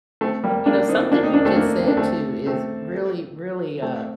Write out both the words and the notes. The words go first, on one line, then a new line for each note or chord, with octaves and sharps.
you know, something you just said too is really, really a
A3 C4
G3 A#3
A#3 D4
C4 D#4
A#3 D4
C4 D#4
A#3 D4
A3 C4
A#3 D4
C4
D4
A3 C4
A3 C4
A3 C4